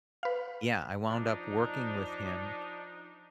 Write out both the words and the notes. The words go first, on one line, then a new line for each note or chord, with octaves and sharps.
Yeah, I wound up working with him,
B4 F5
F3 D4 D#4